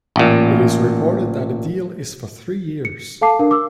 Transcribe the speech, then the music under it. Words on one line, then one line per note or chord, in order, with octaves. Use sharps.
It is reported that the deal is for three years.
A1 A#2
C#7
A4 F5 A5 D6 C7
D4 A#4 F5
D6 E6